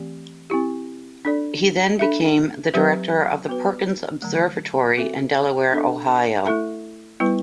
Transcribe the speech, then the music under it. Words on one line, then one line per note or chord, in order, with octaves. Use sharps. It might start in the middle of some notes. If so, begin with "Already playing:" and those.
He then became the director of the Perkins Observatory in Delaware, Ohio.
Already playing: E3 A3 C4 G4
C4 E4 G4
D4 A4 D5
D4 A4 E5
F#3 C4 G4 B4 E5
B3 F#4 B4
D3 F#3 A3
C4 F#4 A4 E5
B3 D4 A4
A3 E4 A4 E5
G3 B3 E4 B4